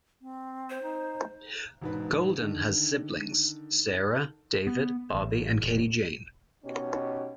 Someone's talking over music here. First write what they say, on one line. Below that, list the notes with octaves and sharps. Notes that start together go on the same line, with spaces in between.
Goldin has siblings: Sarah, David, Bobby and Katie-Jane.
C4
C5
D#4
E1 G#2 B4
D3 D#3
B3
A1
E1
B2 C#4 D#4 G4